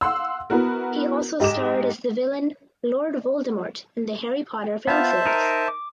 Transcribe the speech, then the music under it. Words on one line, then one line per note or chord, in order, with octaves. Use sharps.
He also starred as the villain Lord Voldemort in the "Harry Potter film series".
F5 F#5 C6 E6
B3 E4 F#4 A#4
G#2 G4 D#5 D6 E7
B3 F4 C5 E5 A5
D#4 A#4
D6